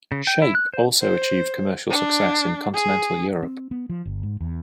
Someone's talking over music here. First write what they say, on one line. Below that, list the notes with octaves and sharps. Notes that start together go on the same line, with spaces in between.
"Shape" also achieved commercial success in Continental Europe.
C#3
G5
E4
F#6
C5
C5
D4
G#4
C4
B3
F3
G1
G#2
E2